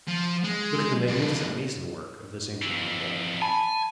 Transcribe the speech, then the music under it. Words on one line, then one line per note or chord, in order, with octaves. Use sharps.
Look at the magnificent mason-work of this ancient people!
F3
G#3
F2 G3
F2 E3
G#5 A5 B5